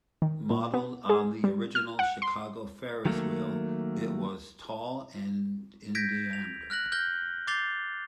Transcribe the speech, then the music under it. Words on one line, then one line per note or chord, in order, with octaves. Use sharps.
Modelled on the original Chicago Ferris Wheel, it was tall and in diameter.
D#3
A#2
B3
G#4
G3
F6
F#5
C6
D#3 F#3 A3 A#3
G6 G#6 A#6 B6 D7
F7
F6 F#6 A#6 F#7
F6 G6 A#6 G7
D6 G6 A6 C7 F7 G7